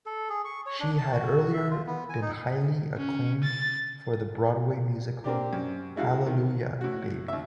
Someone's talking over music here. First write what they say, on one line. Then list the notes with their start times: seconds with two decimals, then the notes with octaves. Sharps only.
She had earlier been highly acclaimed for the Broadway musical Hallelujah, Baby!
0.06 A4
0.30 G#4
0.45 C#6
0.66 C#5
0.80 D4
0.98 A5
1.12 F#4
1.54 E5
1.71 F4
1.87 B3
2.09 G#5
2.22 D#4
2.97 C#4
3.43 A6
5.24 A#3 C4 D4 G4
5.53 F#2
5.96 G#3 E4 F#4 F5
6.26 D#3
6.81 A2 F#4
7.28 D#2 E5